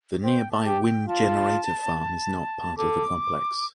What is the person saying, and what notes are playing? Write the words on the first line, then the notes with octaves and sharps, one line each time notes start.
The nearby wind generator farm is not part of the complex.
C5 G5
A5
G4
G5
F4 A5
A4 D6